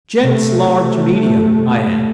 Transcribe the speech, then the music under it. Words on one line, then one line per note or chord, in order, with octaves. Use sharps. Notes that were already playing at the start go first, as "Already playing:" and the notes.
"Gents' large medium, I am."
C3 A3